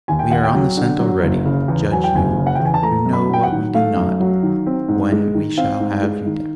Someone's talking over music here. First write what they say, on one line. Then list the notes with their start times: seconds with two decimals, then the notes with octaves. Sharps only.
We are on the scent already; judge you, who know what we do not, when we shall have you down!'
0.08 D#2 G#5
0.19 G5
0.30 D#2 F#5
0.44 G5
0.54 F#3
0.77 D3
0.99 F#3
1.23 F#1
1.45 C#3
1.68 E2
1.91 F#3 G#5
2.04 G5
2.14 F#1 G#5
2.37 C#3
2.47 F#5
2.55 G5
2.60 E2
2.65 G#5
2.74 A5
2.82 A3 A#5
3.06 F#2
3.13 B5
3.29 F#3 G5
3.43 F#5
3.52 D#3
3.74 A3 F5
3.97 F#2
4.20 F#3
4.43 D#3
4.66 C4
4.88 G#2
5.12 G#3
5.35 D#3
5.57 C4 F5
5.80 G#2
6.03 G#3
6.26 D#3